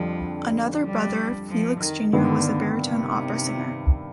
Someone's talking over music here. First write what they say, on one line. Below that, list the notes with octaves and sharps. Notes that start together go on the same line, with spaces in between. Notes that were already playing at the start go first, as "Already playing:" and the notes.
Another brother, Felix Junior was a baritone opera singer.
Already playing: F2 D3 F3 G3
G3
F3
D#3
G2 D3 D#3 B3
C3